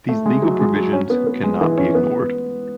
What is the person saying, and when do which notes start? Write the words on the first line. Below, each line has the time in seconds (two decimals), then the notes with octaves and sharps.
These legal provisions can not be ignored.
0.09 A3
0.25 G#3
0.42 F#3
0.59 G#3
0.76 F#3
0.93 C#4
1.10 B3
1.27 B3
1.44 G#3
1.61 E3
1.78 C#4
1.95 B3